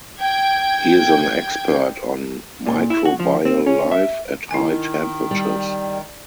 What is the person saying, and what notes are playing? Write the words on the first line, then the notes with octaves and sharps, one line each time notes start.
He is an expert on microbial life at high temperatures.
G5 G#6
A#2
E4
F#4
F3
C4
C#4
E5
D#3 E4 G#5
G3